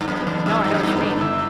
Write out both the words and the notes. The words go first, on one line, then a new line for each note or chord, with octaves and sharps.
No, I know what you mean.
G2
F#2 B3
E2 D3
F#2 E4
G2 G3
F#2
G2 B3
D3
E4